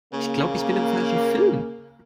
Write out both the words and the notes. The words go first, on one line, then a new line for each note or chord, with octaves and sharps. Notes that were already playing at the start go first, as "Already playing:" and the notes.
Ich glaube, ich bin im falschen Film.
C#3 A#3